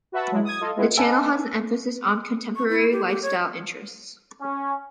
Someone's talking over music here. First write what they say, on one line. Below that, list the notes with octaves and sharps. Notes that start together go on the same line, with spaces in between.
The channel has an emphasis on contemporary lifestyle interests.
F#4 B4 E5 F#5 A5
F#3 G#3 E4
D#6 G#6
F4 A4 D#5
G#3 B3 E4 F4 B4
B4 D#5 F5 G#5 A5 E6
C#6
E4
G4
G4
C#5
C#4